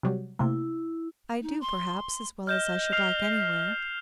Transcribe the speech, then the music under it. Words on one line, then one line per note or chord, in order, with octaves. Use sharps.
I do, perhaps, as well as I should like anywhere.
C3 F#3 G3
C3 A3 A#3 E4
D#4
C6
D#5 F6 G6 E7
F6 C7 F7